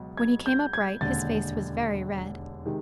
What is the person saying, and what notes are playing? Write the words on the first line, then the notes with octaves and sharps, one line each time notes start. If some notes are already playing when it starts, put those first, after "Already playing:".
When he came upright his face was very red.
Already playing: C#2 B2 F#3
G#6
G6
G#6
E1 D#2 D3 A6
C3 D#3 G#3